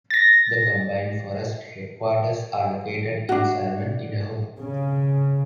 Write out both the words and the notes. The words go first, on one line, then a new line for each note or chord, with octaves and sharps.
The combined forest headquarters are located in Salmon, Idaho.
A6 A#6
D4 F#4
C#3